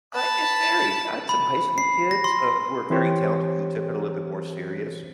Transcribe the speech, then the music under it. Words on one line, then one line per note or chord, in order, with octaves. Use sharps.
I It varied, I had some high school kids, uh, who were very talented, who took it a little bit more serious,
A5 B5
B5
C7
A#6
C6
E3 C4 G4 C5 C#5